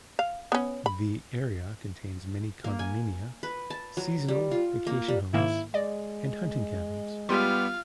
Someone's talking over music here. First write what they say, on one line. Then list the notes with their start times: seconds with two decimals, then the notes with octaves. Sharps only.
The area contains many condominia, seasonal vacation homes, and hunting cabins.
0.19 F5
0.52 B3 C#4
0.86 B5
2.64 A#3
2.79 G#5
3.43 B4
3.70 A5
3.97 F#3
4.28 G3
4.51 F4
4.87 A#3
5.08 G3
5.34 G#2 D#3 A#3 E4
5.74 G#3 D5 D#5
7.29 G3 B3 F4 G4 F5 C6